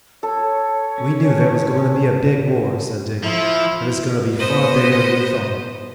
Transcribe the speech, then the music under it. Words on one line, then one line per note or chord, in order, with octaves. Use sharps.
"We knew that it was going to be a big war," said Dick, "but it's going to be far bigger than we thought."
A4 C#5
C#4
F3 E4
B3 C5 D#5